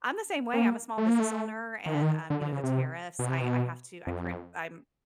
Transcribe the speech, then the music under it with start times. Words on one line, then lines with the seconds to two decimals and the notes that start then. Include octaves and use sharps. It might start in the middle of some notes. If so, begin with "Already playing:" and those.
I'm the same way. I'm a small business owner and, um, you know, the tariffs. I I have to I print I'm
0.54 A#3
0.98 A3
1.08 A#3
1.20 A3
1.86 D#3
1.95 D3
2.02 D#3
2.30 D3
2.42 D3
2.53 C#3
2.63 C3
3.19 B2
3.29 C3
3.41 B2
4.07 F2